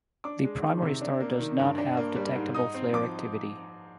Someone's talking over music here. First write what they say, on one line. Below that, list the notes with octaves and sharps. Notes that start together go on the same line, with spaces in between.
The primary star does not have detectable flare activity.
D4 D6
G#3
D#3
C3
D4
A#3
D#3
G2
D4
A#3
G3
G#2
D#4 D#6
C4
F3 D6